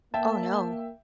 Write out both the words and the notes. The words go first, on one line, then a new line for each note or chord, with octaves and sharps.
Oh, no.
A#3 E5 G5 A5